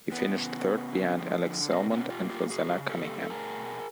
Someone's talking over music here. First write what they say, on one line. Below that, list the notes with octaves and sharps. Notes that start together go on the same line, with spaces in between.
He finished third behind Alex Salmond and Roseanna Cunningham.
E3 B3
C#3
C#3
D3
F3
D3
B2 A#3 C4
B3 C#4
B2
F4 G4
A#3
F4 G4
C#3 F#4 G#4
C#3
G4 A4
A3
A4
B2 G#4 A#4
B2